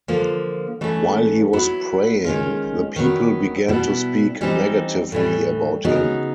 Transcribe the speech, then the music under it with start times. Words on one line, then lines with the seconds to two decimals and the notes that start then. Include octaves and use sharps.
While he was praying, the people began to speak negatively about him.
0.08 D3 F3 A#3
0.81 E3 A3 C#4
1.53 F#3 B3 E4
2.25 D#3 G#3 C#4 F4
2.96 D#3 F#3 B3
3.68 B2 G3 B3 E4
4.41 E3 G3 C4 D#4
5.12 A2 E3 G3
5.85 C#3 F#3 B3 D#4